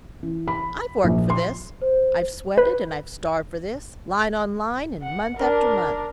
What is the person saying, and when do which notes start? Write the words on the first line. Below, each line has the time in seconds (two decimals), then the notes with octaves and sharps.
I've worked for this, I've sweated and I've starved for this, line on line and month after month.
0.23 E3
0.48 B5
1.04 A#1
1.30 C6
1.82 C5
2.58 B4
5.03 F#5
5.36 D4 A#4